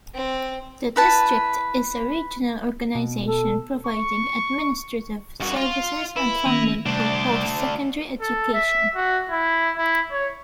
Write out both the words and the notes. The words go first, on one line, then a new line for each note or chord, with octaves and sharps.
The district is a regional organization providing administrative services and funding for post-secondary education.
C4
E4 B4 A5
B2
A4
C#6
G2 F#4
F4
E4 B4
D#3 A#3 C#4
D2 C3 G3 A3 D4
A4
E5
F#4
E4
E4
C#5